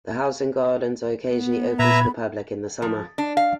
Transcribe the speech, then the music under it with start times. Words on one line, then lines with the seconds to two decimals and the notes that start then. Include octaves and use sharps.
The house and gardens are occasionally open to the public in the summer.
1.30 B3
1.79 A#2 B4 E5 A#5 B5 G#6
2.82 F3
3.18 D4
3.37 F5